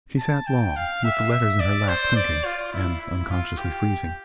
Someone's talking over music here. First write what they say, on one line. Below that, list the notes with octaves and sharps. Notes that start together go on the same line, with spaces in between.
She sat long, with the letters in her lap, thinking--and unconsciously freezing.
A5
G5
F5
E5
E5
D5
C5
D5
F4
E4
E4
F4
G4